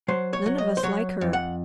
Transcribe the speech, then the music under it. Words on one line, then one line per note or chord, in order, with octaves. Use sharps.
"None of us like her."
F#3 C5
C#5
F#3
D#5
C5
F#3 C#5
F2
F#5